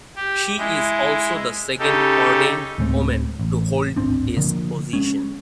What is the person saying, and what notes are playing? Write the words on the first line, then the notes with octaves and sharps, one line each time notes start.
She is also the second ordained woman to hold this position.
G4
G#3 E4
C#3 D#4 G4 A4
D2 A2 G#3 C4
A1
D1 G#1 C4 D4
D3 F3 A#3
G#3 C#4